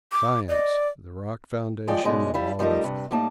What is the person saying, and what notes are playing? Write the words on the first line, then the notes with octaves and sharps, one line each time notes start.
Science--the rock foundation of all effort!!
D6
D5 D#5
F3 G#3 D5 G5
F#2 B2 G#3 D#4 D5
G3 E4 F5
F3 G3 A3 D#4 A#4
G2 C3
A2 G3 A#3 D#4 A5